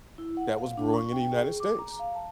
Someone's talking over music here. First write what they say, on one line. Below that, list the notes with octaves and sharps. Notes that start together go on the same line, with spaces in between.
that was brewing in the United States.
E4
F#5
F5
D4
C#6
G5
G#4
D6
A#5
F5
A5